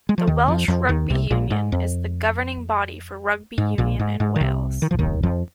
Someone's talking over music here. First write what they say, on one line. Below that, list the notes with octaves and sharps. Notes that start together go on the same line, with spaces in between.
The Welsh Rugby Union is the governing body for rugby union in Wales.
G#3
F3
D#2 D#3
F2 F3
F2 F3
D#2 D#3
C2 C3
A#1 A#2
G#2
F2
G#2
A#1 A#2
G#2
G#2
D#3
C2 C3
D#3
F3
D#2 D#3
F2 F3